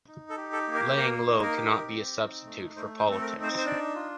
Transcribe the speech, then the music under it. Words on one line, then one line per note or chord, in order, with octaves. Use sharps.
Laying low cannot be a substitute for politics.
D#4
A4
G4
A4
A#3
A#4
A#3 A#4
D#4
A#4
G4
C4
D#4
A3
A3 C5
C5
C4
A4
A#4
D#4
C5
C5
D4 D5
F4